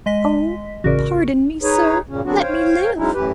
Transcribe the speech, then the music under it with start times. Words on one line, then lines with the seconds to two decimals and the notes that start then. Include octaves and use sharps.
"Oh, pardon me, sir; let me live!"
0.06 G#3 D#5 B6
0.84 A1 C#3 F#4 A#4 D5
1.62 D#4 G#4 B4 C#5
2.09 G2 A#2 C#3 C#4
2.24 D3 F#3 B3 C4 D4 F#4
2.41 C5 C#5 F5 G5
2.97 F#3 G#3 C#4 D#4 E4
3.14 F#2 A2 E3 G4 B4